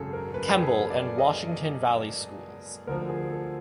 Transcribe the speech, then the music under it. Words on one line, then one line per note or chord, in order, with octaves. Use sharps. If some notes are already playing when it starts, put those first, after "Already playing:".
Kemble, and Washington Valley Schools.
Already playing: G#1 F#2 C#3 G#4 A4
A#4
B4
G#4
A4
D5
D#5
D2 D3 F3 A#4
G#4
A4